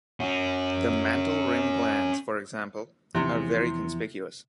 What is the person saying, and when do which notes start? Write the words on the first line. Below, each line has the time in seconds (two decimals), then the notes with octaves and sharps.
The mantle rim glands, for example, are very conspicuous.
0.20 C#4 F#4
3.15 E2 C3 E3 F3